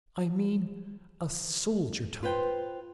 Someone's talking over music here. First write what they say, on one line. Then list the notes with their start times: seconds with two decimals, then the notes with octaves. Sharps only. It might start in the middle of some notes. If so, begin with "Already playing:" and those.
I mean, a soldier type.
2.23 F4 B4 C5 G5